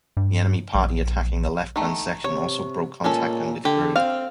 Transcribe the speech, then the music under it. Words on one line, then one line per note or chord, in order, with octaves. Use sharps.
The enemy party attacking the left gun section also broke contact and withdrew.
G2
A#1
D#3 A3
C3 C#5
A#2 G#3 C#4 A4
D3 G4
C4 F5